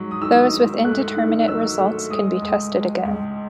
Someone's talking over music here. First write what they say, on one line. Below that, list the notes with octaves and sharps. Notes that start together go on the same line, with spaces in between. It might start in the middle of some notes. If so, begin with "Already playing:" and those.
Those with indeterminate results can be tested again.
Already playing: G#2 F#3
D#6
D#3 E6
G#2
A3 F#6
D#3
F#3 E6
A3
G#3 D#6
C#2
G#3
C#2